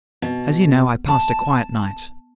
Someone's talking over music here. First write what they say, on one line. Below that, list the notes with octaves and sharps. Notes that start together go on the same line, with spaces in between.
As you know, I passed a quiet night.
B2
A5